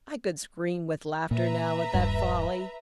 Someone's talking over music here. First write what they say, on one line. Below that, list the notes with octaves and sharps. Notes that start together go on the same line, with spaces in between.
I could scream with laughter now at that folly!
A#2 B4 E5 A#5
D#1 G2